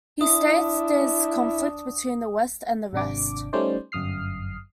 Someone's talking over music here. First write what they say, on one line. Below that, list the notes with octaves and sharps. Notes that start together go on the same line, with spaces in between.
He states there is conflict between the West and the Rest.
D4 E4 D#6
G#1 C3 D4 D6
G3 A3 C#4 D#4 C5 D5
G1 F#2 D#6 F6 C7